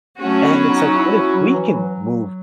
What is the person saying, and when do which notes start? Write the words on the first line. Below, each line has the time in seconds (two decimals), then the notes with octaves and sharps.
and it's like, "What if we can move"
0.19 F#3 A3 C#4 F#4
0.45 B3
0.70 D#4
0.96 E4
1.16 E4
1.35 F#3
1.54 E3
1.74 F#3